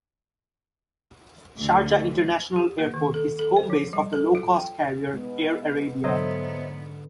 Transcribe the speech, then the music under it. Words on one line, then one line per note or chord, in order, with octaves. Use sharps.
Sharjah International Airport is home base of the low-cost carrier Air Arabia.
D2 D3
G4
A#3
D#3
A4
A4
C5
F3
G3
A4
F4
G5
G#3 B3
G#2 D3 F#3 B3 C5 D#5 E5